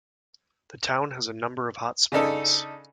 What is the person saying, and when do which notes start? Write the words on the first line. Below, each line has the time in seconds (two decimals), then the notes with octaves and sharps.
The town has a number of hot springs.
2.12 C#3 D4 D#4 A4